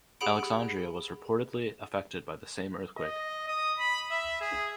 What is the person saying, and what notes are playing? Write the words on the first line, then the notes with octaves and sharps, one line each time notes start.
Alexandria was reportedly affected by the same earthquake.
G4 G#4 F#5 B5 D7
D#5
D#6
B5
E5
G#4